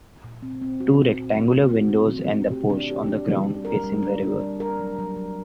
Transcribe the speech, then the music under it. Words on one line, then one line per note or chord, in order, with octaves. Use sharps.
Two rectangular windows and the porch, on the ground, facing the river.
A#2
C4
C4
F#4
A#2
A#2
A3
F#4
F#4
C4
A3
C4
G4
D4
G4
D4
G3
G3
A#4
G3
D4
D4
G3
A#4
F#3
F#3
F#3